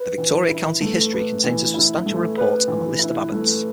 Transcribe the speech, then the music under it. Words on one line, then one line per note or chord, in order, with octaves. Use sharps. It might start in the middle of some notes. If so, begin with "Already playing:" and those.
The Victoria County History contains a substantial report and a list of Abbots.
Already playing: B4
E3
E4
A3
B4
E3
E4
A3
B4
E3
E4
A3